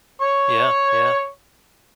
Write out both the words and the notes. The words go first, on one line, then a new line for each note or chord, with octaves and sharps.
Yeah yeah.
C#5 C#6